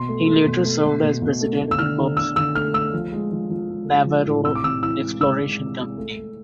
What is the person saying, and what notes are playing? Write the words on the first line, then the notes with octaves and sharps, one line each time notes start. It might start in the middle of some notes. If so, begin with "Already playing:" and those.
He later served as President of Navarro Exploration Company.
Already playing: B2 C6
A3
A3
B2
A3
A3
B2
B2
A3
A3
E6
D3 F6
D3
D3 E6
D3 E6
A3 F6
A3 E6
F3
G#3
F3
F3
G#3
G#3
F3
A2
C3 E6
D6
C3 E6
E3 E6
G#3
G#3 E6
G#3
C3
G#3
A3
A3